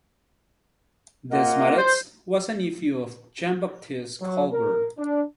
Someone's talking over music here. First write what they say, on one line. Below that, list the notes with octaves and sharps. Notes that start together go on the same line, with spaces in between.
Desmaretz was a nephew of Jean-Baptiste Colbert.
A#3 F4 A#4 D#5 F#5
C5
F#3
A#4
D4